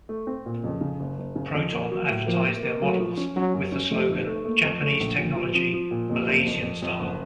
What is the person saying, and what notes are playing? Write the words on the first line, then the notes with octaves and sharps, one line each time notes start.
Proton advertised their models with the slogan "Japanese Technology, Malaysian Style".
A3
C4
A#2
F2 C#3
C#3
F#1
F#1
C#3
F2
A#3
F#3
A2
F3 A#3
A#3
A#3
F#3 A3
F3
C#4
F#3 C#4
F#2
C#4
F2 A3
F1
A3
A3 A#3
F2
A3
A#1
A#2
F3
F3 C4
F3
A#2
F2 A#3
F#1
F2
F2
F2
F#1